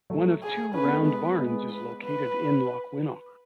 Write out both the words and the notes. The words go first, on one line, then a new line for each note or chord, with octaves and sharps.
One of two round barns is located in Lochwinnoch.
F#3 A3
G#4
C#4 B4
B3
A3
G#3 B3
B4
G#3 B3
B4
B4